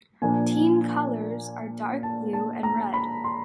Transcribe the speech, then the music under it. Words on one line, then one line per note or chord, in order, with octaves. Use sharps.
Team colours are dark blue and red.
A#2 F3 A#3 D4 G#5
A5
A5
A#5
B5
C6